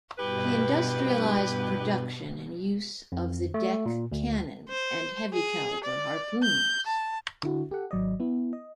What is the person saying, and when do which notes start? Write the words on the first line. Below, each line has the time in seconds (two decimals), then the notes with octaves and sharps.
He industrialized production and use of the deck cannons and heavy-caliber harpoons.
0.18 G2 B2 E4 G4 B4
3.12 F2
3.54 A3
3.86 A#2
4.12 D2
4.69 C5
5.33 G#4
5.84 D5
6.43 G6
6.86 A5
7.43 D3 E4 F#4
7.71 G4 A4 F#5
7.91 G#1 F#3 D5 D#5
8.20 B3 E4
8.53 D#5